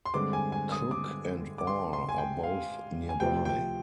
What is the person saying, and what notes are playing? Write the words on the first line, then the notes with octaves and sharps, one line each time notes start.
Cook and Orr are both nearby.
C6
G2 D3 G#3 C4 D6
G#5
G#5
D#6
D6
D6
C6
C6
G#5
G5
F5
G#5
D2 C3 F3 C4 G5
G5